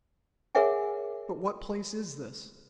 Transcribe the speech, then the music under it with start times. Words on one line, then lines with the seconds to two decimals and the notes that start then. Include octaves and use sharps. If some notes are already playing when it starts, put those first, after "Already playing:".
"But what place is this?"
0.55 G#4 A#4 C#5 E5 F#5 G#5